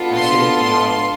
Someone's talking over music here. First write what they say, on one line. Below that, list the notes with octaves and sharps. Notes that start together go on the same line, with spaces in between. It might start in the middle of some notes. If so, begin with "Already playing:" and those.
I should," you know,
Already playing: B3 D4 F4 A4
C6
C6